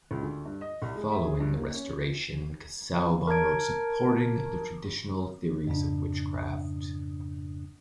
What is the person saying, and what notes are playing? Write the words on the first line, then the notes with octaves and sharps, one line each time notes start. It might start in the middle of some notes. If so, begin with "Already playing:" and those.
Following the Restoration, Casaubon wrote supporting the traditional theories of witchcraft.
C#2
D2
G2
D#5
C2
G#3
E5
G#4
G2
A#3
C#4
A#4 A5 A#5 G#6 D7
F2 G#2 C#3 D4